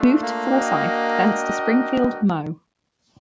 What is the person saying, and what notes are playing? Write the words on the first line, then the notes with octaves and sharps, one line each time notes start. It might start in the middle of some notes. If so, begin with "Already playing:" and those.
Moved to Forsythe, thence to Springfield, Mo.
Already playing: A3 D4 F4
A#3
D4 F#4 A#4 D#5 G5